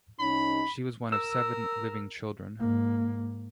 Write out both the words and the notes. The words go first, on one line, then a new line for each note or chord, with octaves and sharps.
She was one of seven living children.
C2 C#4 D#4 B5
A#4 E6
G#2 A#3